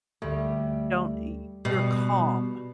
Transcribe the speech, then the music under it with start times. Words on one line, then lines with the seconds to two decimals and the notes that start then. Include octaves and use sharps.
don't y y you're calm.
0.22 D2 G3 A3
1.65 B2 G3